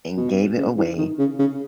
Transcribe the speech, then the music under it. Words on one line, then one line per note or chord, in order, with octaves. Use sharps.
and gave it away
B2
C#3
E3
D#3
C#3
C#3